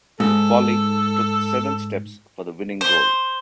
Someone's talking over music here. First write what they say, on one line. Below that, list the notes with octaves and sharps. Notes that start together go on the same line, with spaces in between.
Foley took seven steps for the winning goal.
G#2 A4
C5